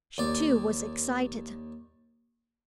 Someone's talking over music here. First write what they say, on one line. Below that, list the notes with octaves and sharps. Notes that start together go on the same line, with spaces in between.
She, too, was excited.
D#2 D5